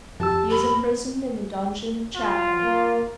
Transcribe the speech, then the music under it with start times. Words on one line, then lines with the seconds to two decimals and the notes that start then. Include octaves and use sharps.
He is imprisoned in the dungeon of Chatham.
0.20 F2 G4 A5 E6
0.51 A#4 B5
2.16 F4
2.65 A#3